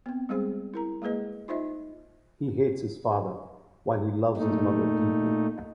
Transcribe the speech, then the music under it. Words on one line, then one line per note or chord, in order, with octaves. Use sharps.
He hates his father while he loves his mother deeply.
B3 C4
G3 G#3 C4 G#4 C5
E4 A#4 A#5
G#3 A#3 G#4 B4 D#5
D#4 F4 C5 D#5 E5
A#2 A3 D#4